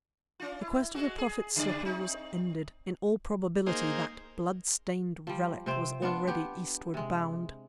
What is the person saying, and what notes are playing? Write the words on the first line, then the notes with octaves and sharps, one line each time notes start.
The quest of the Prophet's slipper was ended; in all probability that blood-stained relic was already Eastward bound.
C#4 F4
E4
G#3 F#4
G#4
C#3 G3 D5
C4 D#4
A#3 D#4 G#4 C5
F3 G3
C3 C4 C5
B3 D4 F4
B3 G4
C3 G#3